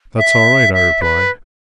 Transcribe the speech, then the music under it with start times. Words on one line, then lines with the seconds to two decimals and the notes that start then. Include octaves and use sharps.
"That's all right," I replied.
0.17 E5
0.73 E5
1.01 B4